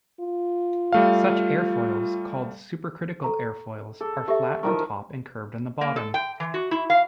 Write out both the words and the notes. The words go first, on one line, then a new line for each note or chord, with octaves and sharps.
Such airfoils, called supercritical airfoils, are flat on top and curved on the bottom.
F4
G3 A3 F5
A4 A#5 C#6
G#4 A4
G4 A4 E5 C#6
D#3 F3 E4 A#4 C#6
A#3
A4
G5
E3
F#4
E4
F5